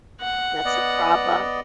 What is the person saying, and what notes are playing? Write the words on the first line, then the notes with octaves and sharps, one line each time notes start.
That's a problem.
F#5
B3 D5 D#5